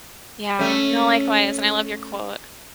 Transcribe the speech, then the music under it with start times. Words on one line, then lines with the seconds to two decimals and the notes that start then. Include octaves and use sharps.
Yeah, no, likewise, and I love your quote.
0.59 A3 C#4